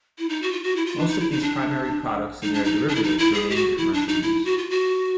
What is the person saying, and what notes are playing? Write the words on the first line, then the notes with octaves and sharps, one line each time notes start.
Most of these primary products and their derivatives remain in commercial use.
E4
D#4
F#4
F4
F#4
E4
F4
D4
D#4
E4
D#4
D4
D#4
D4
D#4
D4
E4
D#4
E4
G#4
G4
F#4
E4
D4
D#4
E4
F#4
F4
F#4